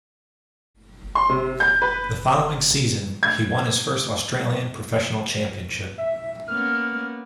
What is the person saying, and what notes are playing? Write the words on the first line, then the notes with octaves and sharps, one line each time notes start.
The following season he won his first Australian Professional Championship.
C6
C3
G6
B4
G#6
E5
A#3 B3 C#4 F6